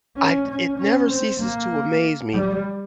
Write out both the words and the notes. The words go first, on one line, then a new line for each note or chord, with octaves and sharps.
I it never ceases to amaze me
C#4
C#4
C#4
C4
A#3
G3